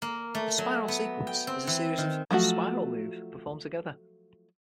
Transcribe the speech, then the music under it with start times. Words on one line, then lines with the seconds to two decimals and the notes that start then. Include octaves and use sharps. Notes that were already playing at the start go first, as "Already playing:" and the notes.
A "spiral sequence" is a series of spiral moves performed together.
0.02 A#3
0.35 A3
0.58 F#3
0.88 B3
1.27 G5
1.47 C4
1.67 E3
1.98 D#3
2.31 F3 F#3 A3 F#4